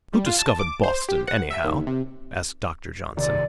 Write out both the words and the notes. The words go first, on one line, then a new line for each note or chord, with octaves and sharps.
"Who discovered Boston, anyhow?" asked Doctor Johnson.
G3
F4
A5
D6
C5
G4
F#5
E5
D#2
C3
A#1 C3 D#3 D5